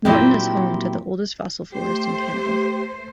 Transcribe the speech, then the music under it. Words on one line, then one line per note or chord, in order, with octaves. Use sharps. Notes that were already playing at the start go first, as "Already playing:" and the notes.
Norton is home to the oldest fossil forest in Canada.
A#2 F#3 C4 E4 G4
A3 G4 C5